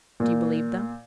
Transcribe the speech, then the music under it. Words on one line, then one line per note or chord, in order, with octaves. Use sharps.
"Do you believe them?"
A#2